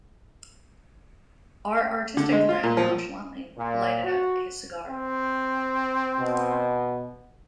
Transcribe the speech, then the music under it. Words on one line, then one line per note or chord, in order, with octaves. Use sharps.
Our artistic friend nonchalantly lighted up his cigar.
D3
G#3
F4
A#2
F3
A#2
F#4
C4
B2